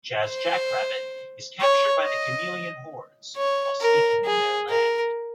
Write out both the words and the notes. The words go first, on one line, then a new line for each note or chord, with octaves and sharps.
Jazz Jackrabbit is captured by the chameleon hordes while sneaking in their land.
C5
C#5
D#5
C#5
A#4
G#4
A#4